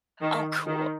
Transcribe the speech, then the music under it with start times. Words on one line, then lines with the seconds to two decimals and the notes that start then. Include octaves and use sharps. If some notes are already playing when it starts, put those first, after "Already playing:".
Oh, cool.
0.22 D#3
0.67 D#3